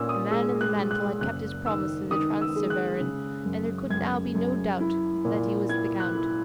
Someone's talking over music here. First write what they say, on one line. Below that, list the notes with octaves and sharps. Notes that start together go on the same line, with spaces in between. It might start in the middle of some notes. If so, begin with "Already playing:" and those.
The man in the mantle had kept his promise to the Transteverin, and there could now be no doubt that he was the count.
Already playing: A#2 C#4 E6
D#6
G#3 E6
F#6
G#3
F#6
F#1 F#6
D#3 E6
D#3 D#6
E6
G#3
F#6
C#3
F#2
F#2 G#6
F#2
E4
A#2
E4 G#6
F#6
E4